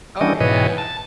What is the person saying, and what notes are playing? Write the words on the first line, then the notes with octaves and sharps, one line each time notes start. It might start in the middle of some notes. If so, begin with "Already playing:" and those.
Oh, yeah.
E3 G3 C#4 D4 D#5
G#2 B2 E3 B4 C#5 D#5
A5